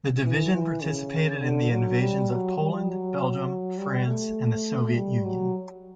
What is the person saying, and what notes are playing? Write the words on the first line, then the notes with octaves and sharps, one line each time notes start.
The division participated in the Invasions of Poland, Belgium, France and the Soviet Union.
E3
E3
C#3
D3
F#3
G3
F#3
G3
F#3
G3
A3
G3
F#3